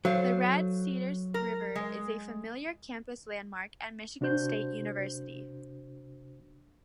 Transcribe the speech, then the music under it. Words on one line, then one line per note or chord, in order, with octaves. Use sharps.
The Red Cedar River is a familiar campus landmark at Michigan State University.
F#3 A4 C5 F5
A#4
G#3
C3 D4 F#4 C5 G6